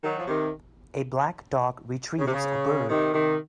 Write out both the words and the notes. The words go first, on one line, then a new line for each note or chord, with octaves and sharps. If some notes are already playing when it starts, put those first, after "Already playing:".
A black dog retrieves a bird.
D#3 F#3
F3
C3 D#3
C#3
C3
C#3
C3 D#3
C3 D#3